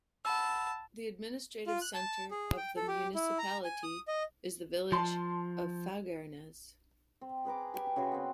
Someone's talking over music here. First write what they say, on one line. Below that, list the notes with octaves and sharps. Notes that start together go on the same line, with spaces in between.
The administrative centre of the municipality is the village of Fagernes.
F#5 A5 B5 E6
F4
F#6
A5
G#4
G5
A4
G4
E4
A#5
G#5
D#6
D#5
F3 A5 C6
C4
G#4 B4 A#5 D6
G4 B4 G#5 D6
C#3 F#4 B4 C6
B3 C4